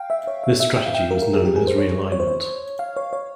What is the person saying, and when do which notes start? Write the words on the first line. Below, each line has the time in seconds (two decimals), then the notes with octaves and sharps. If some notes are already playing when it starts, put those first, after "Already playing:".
This strategy was known as realignment.
Already playing: F5 G5
0.10 E5
0.27 C#5
0.44 E5
0.60 E5
0.77 G5
0.86 F5
0.95 G5
1.11 A#4
1.22 A#4
1.33 G#4
1.45 G4
1.56 G#4
1.67 C5
1.78 C#5
2.12 C#5
2.20 C5
2.27 C#5
2.79 F5
2.97 C#5
3.13 C#5